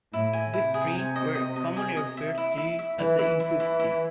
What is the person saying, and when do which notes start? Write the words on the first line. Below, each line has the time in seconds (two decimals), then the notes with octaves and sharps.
These three were commonly referred to as the Improved B.
0.13 A2 E4
0.33 G#5
0.53 C3 E4
0.74 G#4
0.95 G#5
1.16 D#5
1.35 D#5
1.56 D#5
1.76 G#4
1.97 D#5
2.17 E5
2.38 E4
2.57 E4
2.79 E5
2.99 E3 E4
3.19 E4
3.40 E3 E4
3.60 E4
3.80 E4